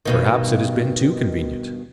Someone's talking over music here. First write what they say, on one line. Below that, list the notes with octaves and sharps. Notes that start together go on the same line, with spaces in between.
Perhaps it has been too convenient.
G2 B2 D#3